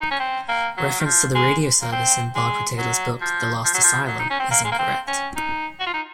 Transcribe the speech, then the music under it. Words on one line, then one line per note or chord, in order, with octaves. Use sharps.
Reference to the radio service in Barbara Taylor's book The Last Asylum is incorrect.
D#4
C#4
C4
A#3
F#3
D#3
F3
G#3
A#3
C4
G#3
F#3
F3
F3
F#3
F3
F#3
D#4
C#4
C4
A#3
G#3
A#3
C4
C#4
D#4
F#4
F4
D#4